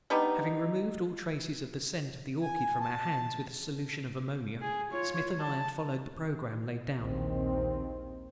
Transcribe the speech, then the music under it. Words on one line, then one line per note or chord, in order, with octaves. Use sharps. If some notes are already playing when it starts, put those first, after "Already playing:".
Having removed all traces of the scent of the orchid from our hands with a solution of ammonia Smith and I had followed the programme laid down.
G3 B3 D4 D#4
G#5
A5
G#4
F4 C#5
A5
A#1 D#2 D#3 C4